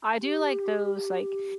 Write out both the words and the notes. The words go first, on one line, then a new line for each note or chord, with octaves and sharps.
I do like those, like,
G4